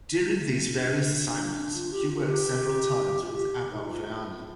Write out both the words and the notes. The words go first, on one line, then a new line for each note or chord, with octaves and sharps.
During these various assignments she worked several times with Abel Viana.
G3
A3
C4
D4
F4
G4
F4
G4
F4
G4
D#4
F4